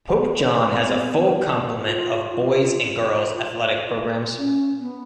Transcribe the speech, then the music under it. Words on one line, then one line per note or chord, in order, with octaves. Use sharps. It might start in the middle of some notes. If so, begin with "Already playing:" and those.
Pope John has a full complement of boys and girls athletic programs.
B3
F4
F4
F4
F4
C#4
B3